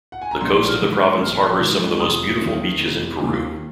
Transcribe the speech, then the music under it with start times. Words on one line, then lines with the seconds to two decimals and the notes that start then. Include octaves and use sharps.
The coast of the province harbors some of the most beautiful beaches in Peru.
0.12 F#5
0.22 G#5
0.31 A#5
0.41 A#1 C6
0.67 F6
0.81 G#2 D#3
0.94 F6
1.20 A#1 F6
1.60 G#2 D#3
2.00 F1 D#6
2.40 D#2 D#3
2.80 F1
3.20 D#2 D#3